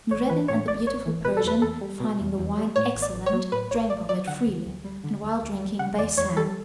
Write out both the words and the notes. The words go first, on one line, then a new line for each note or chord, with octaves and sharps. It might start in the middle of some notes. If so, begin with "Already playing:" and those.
Noureddin and the beautiful Persian, finding the wine excellent, drank of it freely, and while drinking they sang.
A1 C#5
E3 B4
A2 C#5
A1 D5
A1 C#5
E3
B2 B4
A4
E2 B4
E2 A4
G3
B2
E2
E2
G3
A2 C#5
A1
D5
A1
C#5
F#3
A2 B4
A1 C#5
A1 D5
F#3 D5
D3 F#5
D2
D2
G3
D3
D2
D2
G3
C#3 F#5
E2 D5
E2 C#5
G3 A4